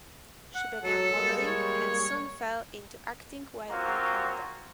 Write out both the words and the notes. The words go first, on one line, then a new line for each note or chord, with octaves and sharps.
She began modeling and soon fell into acting while in Canada.
F#5
F#3 A4
G3 G#3 A#3
C#5
F#3 A#3 C4 F4 F#4